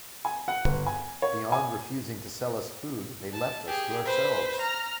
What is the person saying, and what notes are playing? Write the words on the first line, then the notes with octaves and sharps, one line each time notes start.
Beyond refusing to sell us food, they left us to ourselves.
G#5
F#5
G1
G#5
C#5
G#5
A5
G4 G#4
B4 C5
A#5 F6